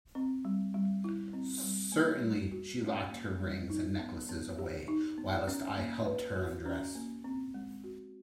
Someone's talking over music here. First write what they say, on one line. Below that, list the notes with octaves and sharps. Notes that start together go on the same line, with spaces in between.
Certainly she locked her rings and necklaces away whilst I helped her undress.
C4
G3
G3
E4
C4
G3
A#3
G3
F#4
C#4
A#3
G3
D#4
B3
B3
G4
D#4
B3
C#4
A#3
B4
F#4
C#4
A#3
C4
G#3
F#4